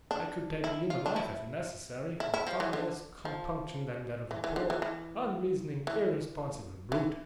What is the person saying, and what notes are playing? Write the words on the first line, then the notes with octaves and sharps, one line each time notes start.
I could take a human life, if necessary, with far less compunction than that of a poor, unreasoning, irresponsible brute.
D4
E4
F4
D4
E4
E4
E4
F3
E3
D3
F3
E3
E3
D3
E3
E3
E3
E3